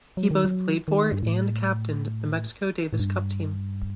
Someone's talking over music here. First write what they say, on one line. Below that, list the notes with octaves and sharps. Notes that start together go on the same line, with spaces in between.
He both played for and captained the Mexico Davis Cup team.
F#3
D#3
F#3
D#3
G2
A2
A2
G2